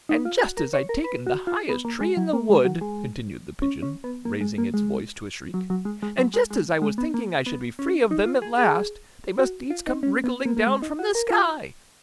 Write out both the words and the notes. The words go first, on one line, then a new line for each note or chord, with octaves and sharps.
'And just as I'd taken the highest tree in the wood,' continued the Pigeon, raising its voice to a shriek, 'and just as I was thinking I should be free of them at last, they must needs come wriggling down from the sky!
D#4
F4
F#4
A#4
C#5
A#4
B4
F#4
F4
B3
A#3
G#3
F#3
A#3
G#3
F#3
G#3
C#4
C#4
B3
A#3
G#3
A#3
G#3
F#3
F#3
G#3
G#3
F#3
G#3
G#3
G#3
B3
A#3
B3
C#4
D#4
F4
G#4
G#4
F#4
F4
D#4
C#4
B3
A#3
A#3
G#3
D#4
F#4
A#4
F4